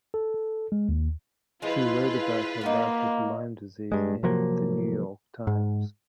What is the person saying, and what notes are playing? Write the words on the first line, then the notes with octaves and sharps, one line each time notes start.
She wrote about her life with Lyme disease in "The New York Times".
A4
G#3
D#2
F3 G#3 E4 F4 B4
A#3 D#4 F#4 A#4
G2 G#3
C3 F3 F#3 A#3
G#2